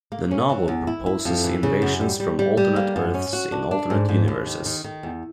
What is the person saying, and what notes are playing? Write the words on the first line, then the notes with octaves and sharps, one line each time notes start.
The novel proposes invasions from alternate Earths in alternate universes.
A#3
C#4
E3
E2
E4
E4
F2
E3
C#3
F#2
G3
G3
G3
G3
A#3
F#2
C#4
F#4
D4
D4
G#2
G#2
D#2
D#3
D#3
D#3
E2